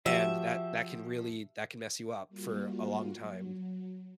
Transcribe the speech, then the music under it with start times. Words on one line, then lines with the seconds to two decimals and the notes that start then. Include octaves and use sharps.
And that that can really that can mess you up for a long time,
0.06 F3 F#4 G4 E5
2.29 G3 A#3 F4 F#4
3.16 F#3